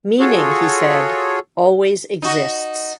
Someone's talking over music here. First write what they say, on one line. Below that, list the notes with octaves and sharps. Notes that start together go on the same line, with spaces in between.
Meaning, he said, always exists.
F4 F#4 G#4 A4 C#5
D#4 F#4